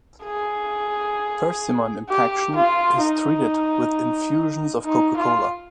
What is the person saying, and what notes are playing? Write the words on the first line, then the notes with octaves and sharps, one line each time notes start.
Persimmon impaction is treated with infusions of Coca-Cola.
G#4
G4
F4
D#4
D#4
F4